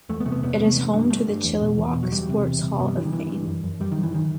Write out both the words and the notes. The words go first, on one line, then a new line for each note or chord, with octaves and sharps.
It is home to the Chilliwack Sports Hall of Fame.
E2 A3
B3
C3 A3
B3
E2 B3
B3
C3
A3
G2
G2
G2 A3
G2
E2
B2
E2
B2
F#3
E2 G3
C3
E2
C3
G2 B3
G3
G2 E3
D#3
G2 E3
G2
F#2
F#2
F#2 G3
D#3
F#2
E3
D#3